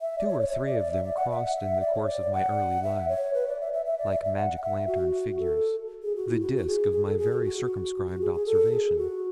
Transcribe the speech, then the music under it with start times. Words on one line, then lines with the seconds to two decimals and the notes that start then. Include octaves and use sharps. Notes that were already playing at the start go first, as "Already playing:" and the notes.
Two or three of them crossed in the course of my early life, like magic-lantern figures, the disk of my very circumscribed observation.
0.01 E5
0.18 D5
0.28 C#5
0.40 C#5
0.52 E5
0.66 D5
0.79 D5
0.92 E5
1.04 D5
1.17 F#5
1.30 E5
1.44 F#5
1.55 E5
1.81 D5
1.93 C#5
2.06 D5
2.33 F#5
2.83 E5
3.09 C#5
3.34 B4
3.48 D5
3.61 E5
3.73 E5
3.85 E5
3.98 D5
4.11 E5
4.24 E5
4.36 F#5
4.56 F#5
4.63 E5
4.87 F#4
5.40 A4
6.03 G#4
6.16 F#4
6.29 E4
6.41 F#4
6.57 F#4
6.67 G#4
6.92 G#4
7.05 A4
7.18 G#4
7.31 F#4
7.44 F#4
8.07 F#4
8.21 G#4
8.34 G#4
8.46 A4
8.72 G#4
8.98 F#4